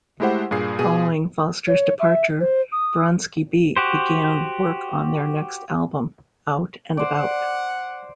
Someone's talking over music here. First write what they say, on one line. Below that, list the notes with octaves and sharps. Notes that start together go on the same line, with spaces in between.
Following Foster's departure, Bronski Beat began work on their next album, "Out and About".
G#3 A3 E4 G4 C5 F#5
G2 A#2 G#4 C7
B2 G#4 D#7
C#5
E5
C5
D#6
F#4 G4 C5
C5 D5 F#5